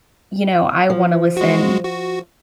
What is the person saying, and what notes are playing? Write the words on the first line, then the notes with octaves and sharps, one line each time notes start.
You know, I wanna listen,
F3
G#3 F#4
F#4